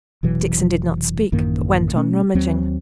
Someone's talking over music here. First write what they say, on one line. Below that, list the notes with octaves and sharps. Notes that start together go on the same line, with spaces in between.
Dixon did not speak, but went on rummaging.
F1 B2 E3 F#3
A1 F#2 D#3 A#3
B2 A3 C#4
D#2 F#3 C4